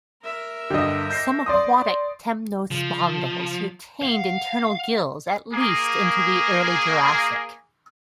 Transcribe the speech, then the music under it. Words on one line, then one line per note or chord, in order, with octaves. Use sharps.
Some aquatic temnospondyls retained internal gills at least into the early Jurassic.
A#4 E5
G2 D3 G4 D#5
G6 A#6 C7
D5 C6 D#6
C#3 F3
F5 F#5
A#3 G#4